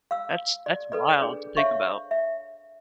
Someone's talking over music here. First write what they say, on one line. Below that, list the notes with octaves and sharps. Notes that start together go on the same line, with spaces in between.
That's that's wild to think about.
F5 E6
D5
A4 B4 D5
D4 G#4
C5 C#5 E5 F5 C#6
E5